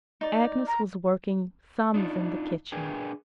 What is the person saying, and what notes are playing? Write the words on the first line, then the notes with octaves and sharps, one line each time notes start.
Agnes was working sums in the kitchen.
D#4 D5
A#5
D4 D#4 F4
D4 G#4 A#4 B4 G5 G#5